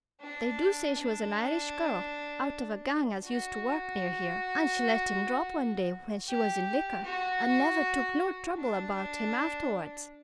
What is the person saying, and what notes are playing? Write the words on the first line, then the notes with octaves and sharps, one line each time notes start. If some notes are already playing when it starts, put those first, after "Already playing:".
They do say she was an Irish girl, out of a gang as used to work near here--an' she let him drop one day when she was in liquor, an' never took no trouble about him afterwards.
D4
D4
F#4
G4
F#4
D4